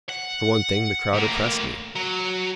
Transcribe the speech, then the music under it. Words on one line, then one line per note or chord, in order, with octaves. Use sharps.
For one thing, the crowd oppressed me.
F#5
A2 A#3
F#3